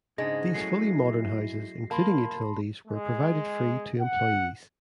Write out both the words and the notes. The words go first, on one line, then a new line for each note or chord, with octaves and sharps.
These fully modern houses, including utilities, were provided free to employees.
G#2 C#3 G#3 D4 A#6
F#3 A3 C#4 E4 C7
A#3 A5 B5 C6
G#3
F#5